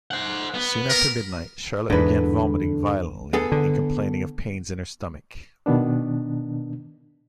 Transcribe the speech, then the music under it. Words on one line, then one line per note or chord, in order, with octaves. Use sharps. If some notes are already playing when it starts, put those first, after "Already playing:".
Soon after midnight, Charlotte began vomiting violently and complaining of pains in her stomach.
C5 F#5
B3
A#4
E2 G#2 D3 B4
B3 G#4 A4
D3
B2 D#3 B3 D4